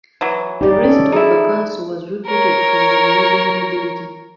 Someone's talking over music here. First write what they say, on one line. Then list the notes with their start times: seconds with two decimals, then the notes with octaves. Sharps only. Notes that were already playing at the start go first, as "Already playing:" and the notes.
The rest of the council was recruited from the Norwegian nobility.
0.21 E3 F#3
0.61 D#4 G4 D5
0.84 C#4 A4
1.12 D#4 E4 G#4
2.26 A#4 C#5